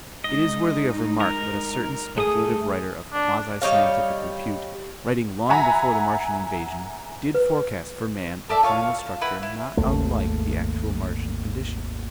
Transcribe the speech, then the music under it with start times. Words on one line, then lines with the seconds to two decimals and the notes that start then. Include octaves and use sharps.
It is worthy of remark that a certain speculative writer of quasi-scientific repute, writing long before the Martian invasion, did forecast for man a final structure not unlike the actual Martian condition.
0.24 G#3 D#4 D#5
1.20 A#4
2.18 A3 G#4 D#6
3.13 D4
3.62 G3 D#4 C#5 F5
5.49 E5 F#5 G#5 A#5 B5
7.34 B4
8.49 A4 D5 E5 A5
8.63 F4 C#5 F5
8.99 A5
9.21 E4 B4 F#5
9.43 E4
9.77 G#1 D#2 A3